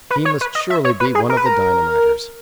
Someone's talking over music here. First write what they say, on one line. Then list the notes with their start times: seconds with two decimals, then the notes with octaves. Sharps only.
He must surely be one of the dynamiters!
0.10 B4
0.25 C#5
0.41 B4
0.55 D#5
0.70 E5
0.85 C#5
1.00 B4
1.15 G#4
1.29 A#4
1.37 B4
1.46 A#4